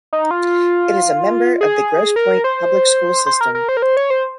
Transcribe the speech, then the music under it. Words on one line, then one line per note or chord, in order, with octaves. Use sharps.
It is a member of the Grosse Pointe Public School System.
D#4
F4
G#4
A#4
C5
C5
A#4
A#4
C5
A#4
C5
C#5
C5